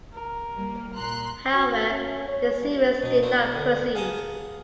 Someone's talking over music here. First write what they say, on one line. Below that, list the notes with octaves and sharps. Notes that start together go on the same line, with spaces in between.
However, the series did not proceed.
A#4
G3 A#3
A#2 A#5 C6 F#6
F#4
C#4
C#5
G2
B2 D#4
D4 E4 F#4 C5
D3
G#4 F5 F#5 A5 A#5 D#6